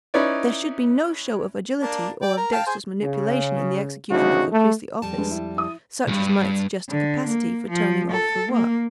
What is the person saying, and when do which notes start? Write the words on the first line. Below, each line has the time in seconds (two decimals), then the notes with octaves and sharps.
There should be no show of agility or of dexterous manipulation in the execution of the priestly office, such as might suggest a capacity for turning off the work.
0.14 C#4 D#4 E4 B4 C#5 D5
1.82 A#3 D4
2.22 D5 G5
2.37 A#4
2.52 F5 G5 A5
2.66 G#4 C5
3.02 C#3
4.10 A1 D2 C#3 D#4 F#4
4.52 A3
5.02 F2 G3 A5
5.18 G#3 D4 B4
5.30 E4
5.57 E4 D#6
6.07 C#2 G2
6.89 D3
7.27 A#3
7.70 F3
8.12 A4
8.52 A#3